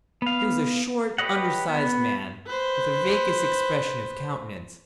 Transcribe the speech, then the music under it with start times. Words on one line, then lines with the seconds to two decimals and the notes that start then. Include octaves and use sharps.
He was a short, undersized man, with a vacuous expression of countenance.
0.22 B3 F5
1.18 G4 B4 C#5 D#5 F#5
1.69 B3
2.47 B4 C5